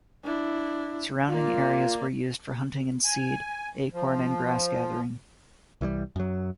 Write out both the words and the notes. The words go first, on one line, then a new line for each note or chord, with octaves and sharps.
Surrounding areas were used for hunting and seed, acorn, and grass gathering.
D4 E4
A#3 F4 D5
G#5
F3
C2 E3 F#3 G3
F#2 F#3